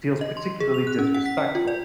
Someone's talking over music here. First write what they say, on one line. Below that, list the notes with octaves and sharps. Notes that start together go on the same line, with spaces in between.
feels particularly disrespectful.
D#5
C6
G#4
F7
F#6
C#4
F#5
B6
G5
F4
D5